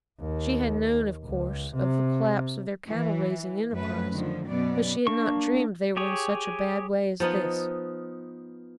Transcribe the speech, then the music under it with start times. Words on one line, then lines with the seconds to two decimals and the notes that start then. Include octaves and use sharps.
She had known, of course, of the collapse of their cattle-raising enterprise, but she had not dreamed they were in such a bad way as this.
0.20 D#2
1.24 C#2
1.73 C3
2.87 E3
3.74 F#2 A3 B4
4.13 D3 D#3 F3
4.46 F#2 B2 B3 D5
5.07 A#3 D4 C#6
5.97 G4 G#4 C#5
7.20 F3 B3 D#4 F4